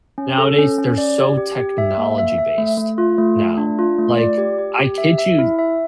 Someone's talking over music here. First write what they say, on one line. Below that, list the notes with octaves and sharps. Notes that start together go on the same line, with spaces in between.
nowadays, they're so technology-based, now, like, I kid you
C#4
A4
C#4
C#4
D5
G4
G4
G4
E5
A#3
E5
E5
A3
A3
F4
A3
A3
D4
F4
A3
D5
G4
G4
G4
E5
E5
E4
E5